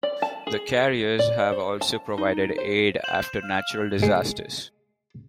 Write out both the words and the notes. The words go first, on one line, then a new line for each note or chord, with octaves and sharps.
The carriers have also provided aid after natural disasters.
D5
A5
G#4
D5
C5
A5
D#4
C5
C5 E7 F#7
F5
G#3